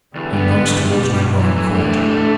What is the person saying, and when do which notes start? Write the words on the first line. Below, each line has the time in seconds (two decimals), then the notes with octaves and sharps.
He nods towards Llangorren Court.
0.15 E2 D3 G3
0.33 B3
0.51 B3
0.68 E2
0.86 B2 G3
1.04 G3
1.21 G2
1.39 E3
1.57 A2 D3 E3
1.75 G4
1.92 A3
2.10 A3